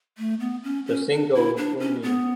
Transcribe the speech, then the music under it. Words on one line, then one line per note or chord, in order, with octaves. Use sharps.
The single Boing!
A3
B3
C#4
C#4
D4
E4
D4
C#4
B3